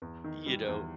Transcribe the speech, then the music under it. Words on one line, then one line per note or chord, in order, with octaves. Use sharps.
you know
E2
D#3
G3
E2